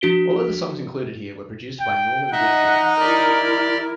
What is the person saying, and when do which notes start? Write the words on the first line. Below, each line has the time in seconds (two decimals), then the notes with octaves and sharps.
All of the songs included here were produced by Norman Whitfield.
0.01 F3 D4 F#4 B6 D7 G7
1.79 G5
2.32 D#4 D#5 E5 F#5
3.00 E4 G4 A#4 D5